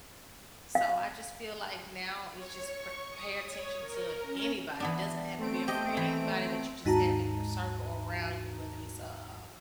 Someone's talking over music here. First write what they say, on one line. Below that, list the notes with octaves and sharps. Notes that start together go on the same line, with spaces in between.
So, I just feel like now it's just pa pay attention to anybody. It doesn't have to be a friend. Anybody that you just have in your circle around you, whether it's a a
F5
C#5
C#6
D#6
C#5
A#4
C#4
E3 B3 D4
A3 C4 D7
G4 D#5
E3
D#2 G#2 D#4 F#4 A5 A#5